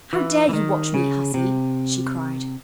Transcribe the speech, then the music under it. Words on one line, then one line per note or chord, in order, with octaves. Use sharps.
"How dare you watch me, hussy?" she cried.
E3
E3
D#3
C#3
C3